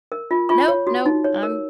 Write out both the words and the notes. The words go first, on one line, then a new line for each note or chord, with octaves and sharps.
Nope, nope. I'm
A#4
F4
F4 C#6
C#5
F#4
D#4
C#5
A#4